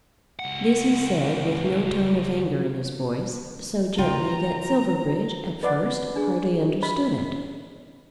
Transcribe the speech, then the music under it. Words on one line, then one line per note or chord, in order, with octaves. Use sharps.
This he said with no tone of anger in his voice,--so gently that Silverbridge at first hardly understood it.
C#2 F#5
C#3 F4 G5 A#5
B4 D5 D#5 F#5
D4 G#4
D#5 B5